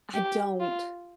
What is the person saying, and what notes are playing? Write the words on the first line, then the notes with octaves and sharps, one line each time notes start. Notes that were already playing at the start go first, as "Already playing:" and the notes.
I don't.
G4
F4